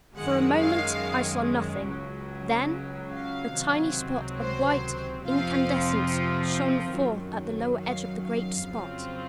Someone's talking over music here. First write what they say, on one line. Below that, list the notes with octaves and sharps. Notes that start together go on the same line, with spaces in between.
For a moment I saw nothing--then a tiny spot of white incandescence shone forth at the lower edge of the great spot.
F#2 D#3 G#3 F#5
F5
C#2 C#3 F#3
F5
C#2 C3 D#3 F#3 C4
C5
F2 C3 F3 C4 F4 F5
F#2 D#3 F#3
F5
F5
F2 C#3 F#3 C4 F4